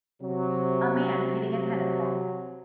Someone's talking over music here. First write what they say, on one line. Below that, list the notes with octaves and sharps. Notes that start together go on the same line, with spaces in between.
A man hitting a tennis ball.
C3 F#3